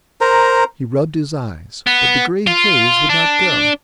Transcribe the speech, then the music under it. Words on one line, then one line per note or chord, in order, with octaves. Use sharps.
He rubbed his eyes, but the gray haze would not go.
A#4 C5 A#5
B3
F4
D4